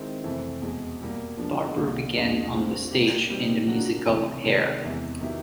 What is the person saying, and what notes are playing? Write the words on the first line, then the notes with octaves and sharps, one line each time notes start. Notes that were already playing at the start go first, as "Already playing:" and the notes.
Barber began on the stage in the musical "Hair".
Already playing: D#3 G#3 C4 E4
F2 C3 E3 A3 C4
E2 B2 G#3
B2 G3 A#3
F3 G#3 B3 D4
C2 A#2 G3
E2 B2 G#3 B3 D4
D3 G3 C4 F4 G#4
A#2 G3 A#3 D#4 G4
B2 G3 C4 D#4 G4
C#3 F#3 A#3 D4 F#4
C#2 C3 E3
C3 D#3 G#3
E2 C3 E3 G#3 B3
D#3 F#3 B3 E4 G4